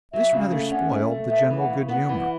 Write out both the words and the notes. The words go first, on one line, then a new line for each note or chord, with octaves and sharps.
This rather spoiled the general good humor.
F#3 E5
C#3
A3
C#4 F#5
A3
A3
B3 E5
E3
F#5
C#3
B3 F#5
E3